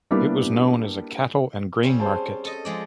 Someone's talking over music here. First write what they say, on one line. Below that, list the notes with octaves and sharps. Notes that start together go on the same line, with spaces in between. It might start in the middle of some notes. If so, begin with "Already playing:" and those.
It was known as a cattle and grain market.
G3 A#3 B3 D4 E4 G4
G3 C4 C#4
G#4 C5 A5
A4 D#5
F3 G#3 D5